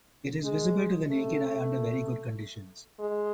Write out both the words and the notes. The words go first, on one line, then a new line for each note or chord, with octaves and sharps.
It is visible to the naked eye under very good conditions.
G#3
A3
G#3